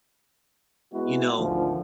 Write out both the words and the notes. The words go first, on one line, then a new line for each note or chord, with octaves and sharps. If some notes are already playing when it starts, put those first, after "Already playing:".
you know,
G#3 B3 E4 F#4
G#1 D2 D#3 F3